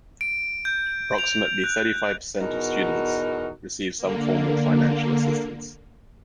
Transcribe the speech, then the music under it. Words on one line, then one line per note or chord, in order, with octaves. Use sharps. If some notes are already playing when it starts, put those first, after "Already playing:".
Approximately thirty-five percent of students receive some form of financial assistance.
D7
G6
F7
F#6
E2 B2 D#4 F#4 A#4
D3 A#3